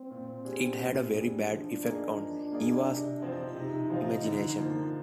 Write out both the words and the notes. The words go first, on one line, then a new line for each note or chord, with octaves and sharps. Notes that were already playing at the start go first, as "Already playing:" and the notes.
It had a very bad effect on Eva’s imagination.
Already playing: C4
A#2
G3 D4 G#4
A#2
G3 D4 G#4
F3 D4
A#3 D#4 G#4 D5
F3
A#3 D#4 G#4 D5
C3
F3 C4 D#4
C3 D#4
F3 C4 D#4 F4
D3 D#4
F3 A#3